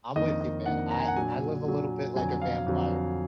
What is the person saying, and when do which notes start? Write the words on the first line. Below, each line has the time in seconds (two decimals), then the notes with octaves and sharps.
I'm with you, man, I I live a little bit like a vampire.
0.16 F2 D#3 A#3 D4 D#5
0.41 D#5
0.66 F2 D#3 A#3 D4 F#5
0.91 A#5
0.99 G#5
1.08 F#5
1.16 A#2 F#3 D4 G#5
1.66 A#2 F#3 D4
2.16 F2 D3 F#3 G#5
2.42 F5
2.66 F2 D3 F#3